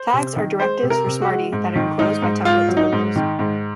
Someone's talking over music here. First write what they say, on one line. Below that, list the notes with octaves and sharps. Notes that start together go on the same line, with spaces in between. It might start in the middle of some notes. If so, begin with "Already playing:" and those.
Tags are directives for Smarty that are enclosed by template delimiters.
Already playing: C5
C3
D#3
G#3 C5
C3
A#4
C3
F#4
G#3
G#2
D#3
G#2 D#4
G#2
G#2 F4
F#3
D#4
G#2
D#3
G#2